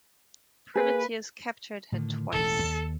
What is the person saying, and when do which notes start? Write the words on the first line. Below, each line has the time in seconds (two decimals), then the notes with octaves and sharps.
Privateers captured her twice.
0.76 A#3 G#4 B4
1.92 A2 D3 D#3
2.32 E1 A1 A4
2.63 D#2